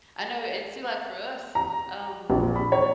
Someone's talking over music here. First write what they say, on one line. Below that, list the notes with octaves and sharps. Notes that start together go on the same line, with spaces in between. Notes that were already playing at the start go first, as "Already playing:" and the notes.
I know, and see, like, for us, um
A#5
A#1
B5
C#5